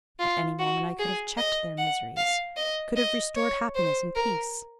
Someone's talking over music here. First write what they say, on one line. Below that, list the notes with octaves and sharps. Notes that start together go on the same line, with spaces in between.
At any moment I could have checked their miseries, could have restored happiness and peace.
F4
F#4
G#4
D#5
F#5
F5
D#5
D#5
C#5
C5
A#4